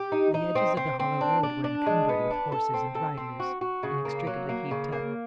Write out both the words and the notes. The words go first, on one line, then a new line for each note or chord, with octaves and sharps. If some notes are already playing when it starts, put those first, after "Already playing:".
The edges of the hollow road were encumbered with horses and riders, inextricably heaped up.
Already playing: G4
D#4
D#4
C4
C4
C4
D4
D4
D4
G#3
B3
D4
A4
C4
A4
C4
F#4
F#4
C#3
A#3
F#3
A#3
C#3
A#3